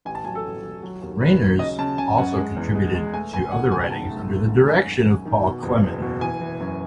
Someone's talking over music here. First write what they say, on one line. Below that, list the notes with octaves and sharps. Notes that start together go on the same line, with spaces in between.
Reiners also contributed to other writings under the direction of Paul Clemen.
A1 G#5
A5
F#3 G#5
A4
A1
A1
F#3
D#2
D#2 B4
F#3
C#3 D#5
C#3 A5
C#3 G#5
F#2 F#5
G#3
E2
G#3
G#3
A3 G#5
C#2 G#5
B2 F#5
C#2 G#5
G#2 A5
A3
A3
G#2
F#2 G#5
F#2
F#2
D#3
B2
F#1
E2
B2
E3 G#5
E3
F#2